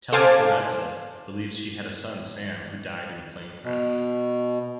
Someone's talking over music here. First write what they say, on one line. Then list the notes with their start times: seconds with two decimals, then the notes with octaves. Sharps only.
Telly Paretta believes she had a son, Sam, who died in a plane crash.
0.13 A4 C5 F5 G#5 A5 D6
3.63 B2